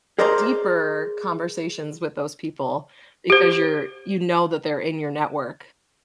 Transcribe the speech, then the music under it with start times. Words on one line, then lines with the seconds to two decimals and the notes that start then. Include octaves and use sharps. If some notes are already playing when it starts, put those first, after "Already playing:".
deeper conversations with those people, because you're you know that they're in your network.
0.19 G#4 A#4 C5 D5 D#5 A#5
3.30 G4 C5